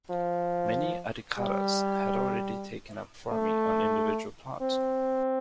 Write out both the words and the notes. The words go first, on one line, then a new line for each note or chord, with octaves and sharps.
Many Arikaras had already taken up farming on individual plots.
F3
G3
A3
C4